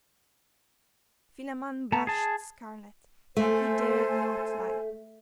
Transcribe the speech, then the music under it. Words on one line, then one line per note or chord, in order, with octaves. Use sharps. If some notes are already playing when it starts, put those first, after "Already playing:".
Philammon blushed scarlet, but he dared not lie.
B3 A5 A#5
G#4 A5
A3 A4 C5 G#5